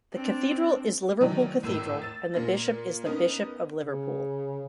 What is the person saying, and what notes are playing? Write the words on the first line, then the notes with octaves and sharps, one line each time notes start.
The cathedral is Liverpool Cathedral and the bishop is the Bishop of Liverpool.
C4 D4
D#3 E3 F#3 D5
G#1 A2 E6
A6 E7
A#2 F4 A#6
B3 C#4 D#4 A#4
C#3